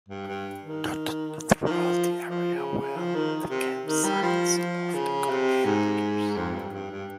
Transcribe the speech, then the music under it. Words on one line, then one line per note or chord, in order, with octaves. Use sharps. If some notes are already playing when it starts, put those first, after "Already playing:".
Dotted throughout the area were the camp sites of the contractors.
G2
G2
D#3
D#3
F3
F3
C#3
C#3
F3
D#3
C3
D#3
G3
F3
F3
C#3
C3
G#2
F2
G2
G2
G2